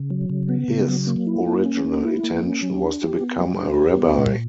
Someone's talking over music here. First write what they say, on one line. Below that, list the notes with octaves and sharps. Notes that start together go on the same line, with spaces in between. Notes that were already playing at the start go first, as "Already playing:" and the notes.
His original intention was to become a rabbi.
Already playing: C#3
F#3
C#3
B3
C#3
F#3
A#3
E4
A#3
C#4
A#3
E4
A#3
C#4
F#3
D4
G4
B3
F#3
D4
G4
B3
A#2